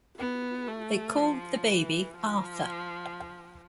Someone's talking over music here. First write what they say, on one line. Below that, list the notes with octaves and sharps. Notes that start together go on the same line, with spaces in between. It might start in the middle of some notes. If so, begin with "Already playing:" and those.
They called the baby Arthur.
B3
A3
F3
E3
F3